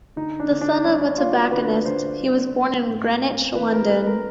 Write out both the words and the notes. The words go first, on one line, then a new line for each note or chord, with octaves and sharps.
The son of a tobacconist, he was born in Greenwich, London.
D3 D#4
D4
D3
D4
G3 C#4
D4
A#3 F4
F#4
D3 B4
D3 C5
G3
A#3
A2
C4
E3 B4
A#4
A3 B4
A#4